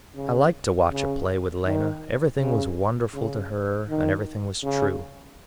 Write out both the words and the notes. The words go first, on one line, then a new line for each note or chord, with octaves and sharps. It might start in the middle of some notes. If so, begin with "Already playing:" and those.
I liked to watch a play with Lena; everything was wonderful to her, and everything was true.
C#3
C#3
D#3
C#3
C#3
D#3
C#3